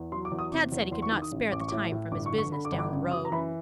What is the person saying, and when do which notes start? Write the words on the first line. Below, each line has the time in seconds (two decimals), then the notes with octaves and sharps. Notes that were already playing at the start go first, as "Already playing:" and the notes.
Tad said he could not spare the time from his business down the road.
Already playing: E2
0.12 F#3 C6
0.25 D6
0.32 E2
0.39 D#6
0.52 C3 D6
0.72 E2
0.91 E2 C6
1.02 C#6
1.12 D#3 D6
1.22 D#6
1.32 A1
1.52 A1 D6
1.60 C#6
1.68 A2 D6
1.92 A2
2.12 G1 D6
2.26 C#6
2.32 D3
2.38 C#6
2.52 D3 B5
2.65 D6
2.72 G1
2.79 D6
2.92 C#3
3.11 F#2 D#6
3.25 A#5
3.32 E3 B5